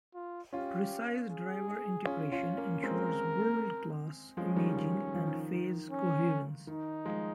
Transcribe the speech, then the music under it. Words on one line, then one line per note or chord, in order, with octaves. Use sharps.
Precise driver integration ensures world-class imaging and phase coherence.
F4
C#4 F4 G4
G#4
C#4 F4
C#4 F4
A#3 C#4
G#3 C4 A#4
F3 G#3 C#4
D#3 G3
F3
F3
D#3
D#3
C#4
D#3 D#4
F3 G#3